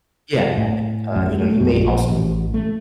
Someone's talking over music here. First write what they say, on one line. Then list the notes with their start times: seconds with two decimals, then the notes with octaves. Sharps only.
Yeah, I think, uh, you know, you may also lean
0.58 A2
1.16 F#2
1.41 A3
1.60 F#2
1.74 A#1
2.10 A1
2.54 A3